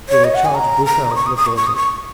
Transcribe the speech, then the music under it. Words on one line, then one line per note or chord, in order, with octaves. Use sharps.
You will charge Broussel to report it.
C#5
D#5
F#5
G#5
A#5
A#5
D#6
C#6
D#6
D#6
C#6
C#6
D#6
C#6